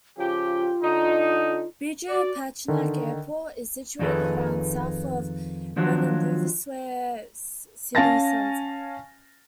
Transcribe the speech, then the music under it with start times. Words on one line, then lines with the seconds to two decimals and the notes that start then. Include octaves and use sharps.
Biju Patnaik Airport is situated around south of the Bhubaneswar city center.
0.18 C#3 F3 F4 G4
0.82 D3 D#4
2.09 F#4 D5
2.68 D3 D#3
3.99 F2 D#3 D#4 G#4 A4 B4
5.76 D#3 F3 F#3 D4 F4 F#4
7.95 C#4 F5 G#5 A5 A6 A#6